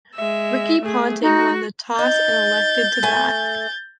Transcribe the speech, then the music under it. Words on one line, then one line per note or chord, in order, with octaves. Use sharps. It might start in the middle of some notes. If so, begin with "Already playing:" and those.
Ricky Ponting won the toss and elected to bat.
G#3 E5
A3 G#4
D#4 F#4
D#4 G6 A6
A3 G#5